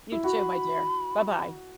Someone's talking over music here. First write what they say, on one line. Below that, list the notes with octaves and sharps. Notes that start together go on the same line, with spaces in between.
You, too, my dear. Bye bye.
E4
F#4 B5